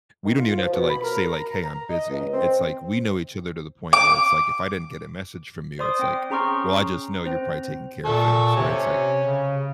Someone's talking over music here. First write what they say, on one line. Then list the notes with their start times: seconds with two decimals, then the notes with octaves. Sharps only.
We don't even have to, like, say, like, "Hey, I'm busy." It's ,like, we know each other to the point where it's, like, if I didn't get a message from you, it's, like, well, I just know you're probably taking care of things, right? It's, like,
0.26 D#3
0.40 F4
0.58 F3
0.73 B2
0.90 B5
1.04 A#4
1.33 A#5
1.64 A#5
1.90 D#5
2.10 C#2
2.33 C4
3.93 D6
5.79 C5 D5 C6 D#6
5.99 C4 G5
6.30 C#4 G#4 A#5 C6 C#6 F6
7.26 C4 C5
8.05 A#2 A4 C#6
8.56 C3 C#4 G#5
9.26 C#3